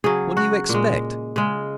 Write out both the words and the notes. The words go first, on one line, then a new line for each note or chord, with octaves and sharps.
What do you expect?
C#3 F#3 G#4
F#4
A#2
G#3
C#3 G#3